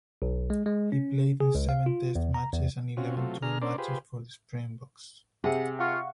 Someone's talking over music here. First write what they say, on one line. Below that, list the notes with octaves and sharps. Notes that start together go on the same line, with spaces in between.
He played in seven test matches and eleven tour matches for the Springboks.
B1
G#3
G#3
C#4
G#4
C#2
F5
F4
E2
A#5
E2
C3 C#4 F4 F#4
C3 F#3 A3 F4
D3 G#4 A#5 F6
C#4 D4 A#4 C5 D5
F4 G4 G#4 B4 C5
C3 G#4 F#5
F4 F5 F#5 C#6